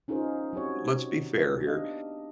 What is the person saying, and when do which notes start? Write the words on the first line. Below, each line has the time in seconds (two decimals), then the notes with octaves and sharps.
let's be fair here,
0.08 C#4 D#4 F4 G#4 A#4 C5
0.53 F#3 C4 F#4 G4 C#5
1.44 G4
1.67 B3 D4 D#4 D#5 F5